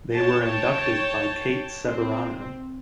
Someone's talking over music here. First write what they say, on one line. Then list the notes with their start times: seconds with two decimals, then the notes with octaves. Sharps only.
They were inducted by Kate Ceberano.
0.13 C#5 G5 A5
1.87 C4